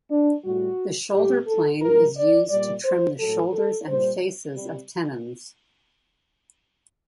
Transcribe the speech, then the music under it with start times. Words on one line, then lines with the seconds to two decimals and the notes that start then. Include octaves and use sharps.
The shoulder plane is used to trim the shoulders and faces of tenons.
0.10 D4
0.44 A2 G3 F#4
1.13 A2 G3 G4
1.47 A4
1.81 A2 F#3 A#4
2.16 D5
2.50 A#2 G3 D5
2.84 C5
3.18 A2 F#3 A4
3.53 A4
3.87 A#2 G3 C5
4.56 C3 G3